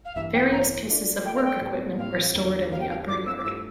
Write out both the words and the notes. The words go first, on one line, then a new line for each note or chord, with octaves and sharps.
Various pieces of work equipment were stored in the upper yard.
F5
A1 G2 E3 A#3 E5
G5
A1 G2 E3 A#3 A#5
A#2 A3 D4
A#2 A3 D4 G5
F5
G5
A2 G3 C4
A2 G3 C4 F5
E2 D3 G3 A#3
E2 D3 G3 A#3 F5
G5
F5
G2 F3 A3 E4 D6
E6
D6
G2 F3 A3 E4 E6